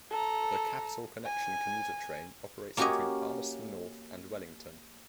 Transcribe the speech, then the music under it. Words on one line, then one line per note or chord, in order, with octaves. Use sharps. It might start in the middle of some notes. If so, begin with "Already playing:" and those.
The Capital Connection commuter train operates between Palmerston North and Wellington.
A4 A#5
G#5
A#3 C#4 F#4 G4 C#5 D#5